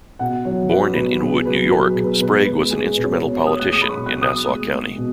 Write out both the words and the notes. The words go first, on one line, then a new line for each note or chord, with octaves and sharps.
Born in Inwood, New York, Sprague was an instrumental politician in Nassau County.
B2 F#5
F#3 C#5
F#3 B4
B2 B4
B2 G#4
F#3 B4
F#3 B4
G#4
B2
B4
B2 B4
G#3 B4
G#3 G#4
B2 B4
C#5
B4
B2 C#5
C#5
G#3 D#6
F#6
G#3 D#6
B5
C#6
B2
F#6
B2 D#6
G#3
G#3
B2